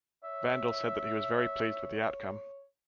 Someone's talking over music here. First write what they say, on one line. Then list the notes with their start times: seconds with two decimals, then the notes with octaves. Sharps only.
Vandal said that he was very pleased with the outcome.
0.24 C#5 E5